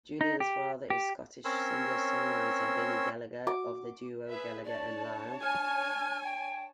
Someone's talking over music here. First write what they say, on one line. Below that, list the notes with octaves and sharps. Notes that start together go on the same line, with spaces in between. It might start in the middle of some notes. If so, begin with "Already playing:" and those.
Julian's father is Scottish singer-songwriter Benny Gallagher, of the duo Gallagher and Lyle.
D#4
G4
G4
C4 C#4 A#4 C#5 C6 E6
F#4 D6
G#4 B4 E5
D4 C#5 D5 A5
G#5 F6
G5